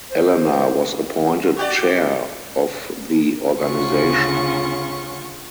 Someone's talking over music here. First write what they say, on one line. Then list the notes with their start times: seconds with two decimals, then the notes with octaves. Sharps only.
Elena was appointed chair of the organisation.
0.11 C5
1.57 F#4 G4 D5
3.58 D2 C#3 C#4 F4 F#5 C#6